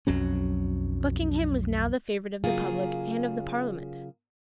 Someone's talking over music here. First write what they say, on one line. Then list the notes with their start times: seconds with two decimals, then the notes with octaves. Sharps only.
Buckingham was now the favorite of the public and of the parliament.
0.07 B1 F2 F#3 C#4
2.44 C#3 F#3 A#3 F4 G#4